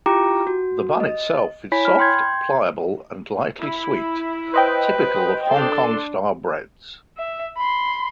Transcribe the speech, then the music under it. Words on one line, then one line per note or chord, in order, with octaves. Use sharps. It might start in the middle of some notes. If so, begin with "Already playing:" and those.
The bun itself is soft, pliable and lightly sweet, typical of Hong Kong-style breads.
E4 F4 G4 G5 A#5 D6
F#4
D#5
E4 C#5 G#5 B5 B6
B5 F6
G5 C6 G6 G#6
E4
B4 C5 D#5 G5
D4 A4 A5 C6
E5
B5 C6